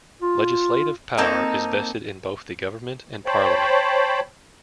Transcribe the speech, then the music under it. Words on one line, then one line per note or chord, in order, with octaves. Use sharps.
Legislative power is vested in both the government and parliament.
F4
A#3 C4 D#4 A4
C5 C#5 G5 A5 B5